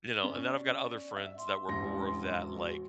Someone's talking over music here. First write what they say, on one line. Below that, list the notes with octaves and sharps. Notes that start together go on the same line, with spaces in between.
You know? And then I've got other friends that were more of that, like,
C#4 D5
E5
C6
E1 A1 A#6
F#4